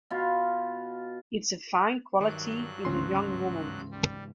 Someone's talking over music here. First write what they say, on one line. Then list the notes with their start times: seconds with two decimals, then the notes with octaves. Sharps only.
It is a fine quality in a young woman.
0.10 B2 F4
2.20 G2 D#3 F#3 F#6
2.85 D2 G#2 C#3 E3 C#4 C6
3.91 G3